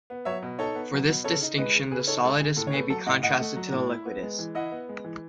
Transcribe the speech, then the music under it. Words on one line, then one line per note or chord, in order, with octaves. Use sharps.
For this distinction, the solidus may be contrasted to the liquidus.
B3
F#3 C#5 E5
B2
D#4 A4 C#5
B3
F#3
B2
C#3 A4 C#5
D#4
G#3 B4 D#5
C#3
C#3 G#4 B4
D#4 A4 C#5
G#3 A4
C#3 G#4
A2 A4
C#5
A3 G#4 B4
F#3 A4
A2 D#5 F#5
A2 D#5 F#5
A3
F#3
A2
E4
B3
G#3
E3
E4 D#5 F#5
B3
G#3
E3